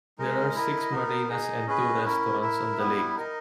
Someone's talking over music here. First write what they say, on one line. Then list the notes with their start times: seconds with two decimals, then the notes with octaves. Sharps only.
There are six marinas and two restaurants on the lake.
0.18 G#3 D#4 A#4 D#5
0.55 E4 A#4 D#5
0.91 B3 D#4 A#4
1.29 D#4 G#4 D#5
1.67 C#4 G#4 B4 D#5
2.04 C#4 E4 A#4
2.40 E4 A#4 E5
2.78 G3 B3 E4
3.15 D#4 A#4 D#5